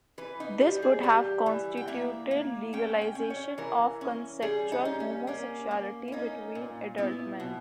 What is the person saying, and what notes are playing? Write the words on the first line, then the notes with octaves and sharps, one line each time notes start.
This would have constituted legalization of consensual homosexuality between adult men.
E3 B4
D#4
G3 G4
G#4
G3 G4
E3
G5
A#3 E5
A#3
C#4 G5
G5
C#4
C#5
E3 A#4
C#4
G3 G#4
D#4
C#4
C#4
A#3 C#4
A#3
E4
C#4 D#4
A#2
B3 E4
B2